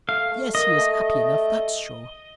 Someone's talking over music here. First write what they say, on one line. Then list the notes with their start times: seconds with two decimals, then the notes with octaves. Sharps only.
Yes, he is happy enough, that's sure!
0.08 A3 F5
0.31 A3
0.55 A#3 D#5
0.79 A3